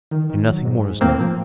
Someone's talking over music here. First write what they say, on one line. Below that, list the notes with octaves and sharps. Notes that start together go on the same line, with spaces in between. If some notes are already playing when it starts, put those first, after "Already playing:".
"And nothing more is known?"
D#3
D#3
F#3
G#2
G#2
A2 A#3 C4
F3